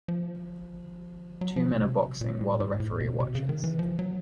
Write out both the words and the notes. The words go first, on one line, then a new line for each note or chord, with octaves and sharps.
Two men are boxing while the referee watches.
F3
F#3
F3
B2
C3
A#2
A2
G#2
A2
B2
C3
C#3
D#3
E3
F3
F#3